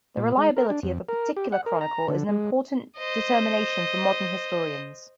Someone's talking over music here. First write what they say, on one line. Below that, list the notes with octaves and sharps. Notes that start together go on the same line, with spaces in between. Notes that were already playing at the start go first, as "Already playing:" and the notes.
The reliability of a particular chronicle is an important determination for modern historians.
A#2
G#3
A#4
D4
F2
A#4
G4
F#5
A#4
A#5
D3
G#3
C5 D#5